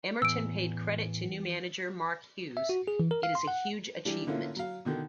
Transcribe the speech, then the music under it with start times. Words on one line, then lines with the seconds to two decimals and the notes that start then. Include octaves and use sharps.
Emerton paid credit to new manager, Mark Hughes, It is a huge achievement.
0.22 E2 A2 E6 D7
2.57 E5
2.69 F#4
2.88 G#4
3.00 E3
3.11 A#4
3.23 F5
3.35 C6
3.48 F#5
4.05 E3 G3 D4
4.27 D3 A#3 C#4 E4 F4
4.56 F#3 F5
4.85 B2 D3 D#3